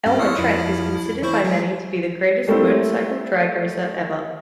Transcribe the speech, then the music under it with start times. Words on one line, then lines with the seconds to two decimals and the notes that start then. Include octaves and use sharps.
Elmer Trett is considered by many to be the greatest motorcycle drag racer ever.
0.06 G2 C#4
0.19 E4 C5 C#5 D#6 F6 F#6
0.38 F2 E4
1.22 E3 E4 C5 C#6
1.44 F#3 G#3
2.47 G3 A3 A#3 C4 E4